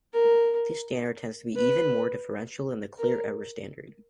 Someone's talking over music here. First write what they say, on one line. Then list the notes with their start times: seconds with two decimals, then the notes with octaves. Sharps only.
This standard tends to be even more deferential than the "clear error" standard.
0.14 A#4
1.56 B4
2.98 A#4